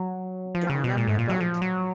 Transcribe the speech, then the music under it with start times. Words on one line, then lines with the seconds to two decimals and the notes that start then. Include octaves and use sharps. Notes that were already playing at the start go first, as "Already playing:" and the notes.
down on my butt.
Already playing: F#3
0.55 F3
0.70 C#3
0.84 B2
0.97 A#2
1.08 G#2
1.18 A#2
1.30 F#3
1.40 F3
1.62 F#3